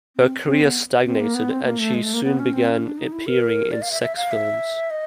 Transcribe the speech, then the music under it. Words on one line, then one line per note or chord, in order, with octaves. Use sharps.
Her career stagnated, and she soon began appearing in sex films.
C4
C4
B3
C4
A#3
B3
C4
A#3
A3
G#3
A3
A#3
B3
C#4
C4
C#4
D4
D#4
E4
A#4
D5
F5
E5
E5
F5
E5
D#5